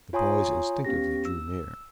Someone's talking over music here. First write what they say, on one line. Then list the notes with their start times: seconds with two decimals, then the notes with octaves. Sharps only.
The boys instinctively drew near.
0.13 F4 C#5 G#5 A#5 C6 D#6
0.85 B3 C#4 G4 A#6
1.25 E6